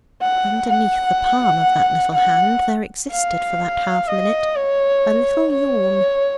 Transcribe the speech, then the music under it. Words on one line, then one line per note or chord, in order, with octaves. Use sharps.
Underneath the palm of that little hand there existed for that half-minute a little yawn.
F#5
F#5
F#5
F5
D#5
C#5
C#5